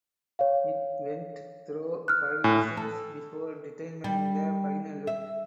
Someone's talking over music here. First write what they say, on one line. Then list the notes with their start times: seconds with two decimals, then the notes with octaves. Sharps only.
It went through five designs before determining the final look.
0.39 C#5 F5
2.08 F6 F#6
2.44 A2 G#5
2.77 A4
4.04 G3
5.07 E5